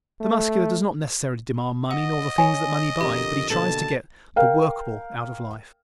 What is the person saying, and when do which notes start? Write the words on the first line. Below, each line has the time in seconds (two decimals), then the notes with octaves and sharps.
The Muscular does not necessarily demand money nor the things that money buys but he tries to get the workable out of life.
0.21 A3
1.91 D#5 F#5
2.38 C#5 G#5
3.01 F2 D3 G4 A#4
3.50 B2 D3 A#3 A4 A5
4.36 A#4 F5 G5